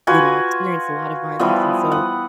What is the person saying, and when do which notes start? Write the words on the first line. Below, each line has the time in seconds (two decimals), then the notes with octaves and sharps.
you know, experienced a lotta violence. And so
0.07 F4 F#4 B4 G#5
1.39 E3 F3 G3 B3
1.92 F#5